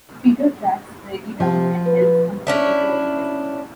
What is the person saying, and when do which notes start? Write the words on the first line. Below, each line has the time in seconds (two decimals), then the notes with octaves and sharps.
Peter tracks Reggie down and helps her move into a hotel.
1.40 C3 F3
1.86 B4
2.47 C#4 D4 E4